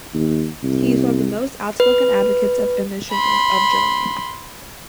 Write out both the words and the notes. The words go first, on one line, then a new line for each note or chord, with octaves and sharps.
He was one of the most outspoken advocates of admission of Germany.
D#2
C2
B4
B5 C6